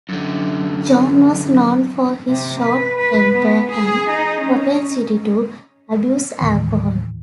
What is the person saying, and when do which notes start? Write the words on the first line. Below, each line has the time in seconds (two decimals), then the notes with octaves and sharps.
John was known for his short temper and propensity to abuse alcohol.
0.09 F#2 D3
2.28 C3
2.60 B4
2.98 B4
3.31 B3
3.71 G#4
4.10 D#4
4.42 C#4
6.41 D#2 A2 D#3 E3